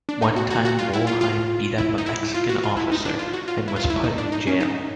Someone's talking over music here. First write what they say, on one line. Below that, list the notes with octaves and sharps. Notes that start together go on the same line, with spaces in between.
One time Wolheim beat up a Mexican officer and was put in jail.
D4
D#4
F#4
F#4
F#4
F4
E4
F4
F4
E4
D#4
E4
F4
F#4
F4
E4
D#4
D4
F4
F#4
F4
E4
F4
E4
D#4
D4
D#4
C#4
D#4